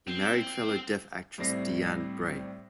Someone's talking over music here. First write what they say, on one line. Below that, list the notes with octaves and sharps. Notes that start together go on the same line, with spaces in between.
He married fellow deaf actress Deanne Bray.
C4
A2 G3 C4 D5 A#6 C7